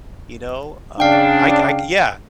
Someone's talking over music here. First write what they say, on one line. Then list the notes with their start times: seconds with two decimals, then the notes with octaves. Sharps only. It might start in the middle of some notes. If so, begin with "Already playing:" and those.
you know? Um, I c I c yeah,
1.00 C#3 D4 F5 G5